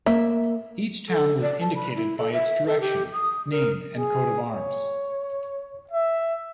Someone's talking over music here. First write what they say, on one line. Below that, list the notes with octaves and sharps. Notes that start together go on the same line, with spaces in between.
Each town was indicated by its direction, name, and coat of arms.
A#3 E5
A4
D5
A5
B5
E4
A4
E5
A4
G4
D#6
A#4
G#4
C#5
E5